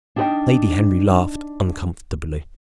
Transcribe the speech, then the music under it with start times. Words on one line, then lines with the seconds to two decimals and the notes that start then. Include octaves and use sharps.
Lady Henry laughed uncomfortably.
0.16 D4 D#4 F#4 B4 D#5 G5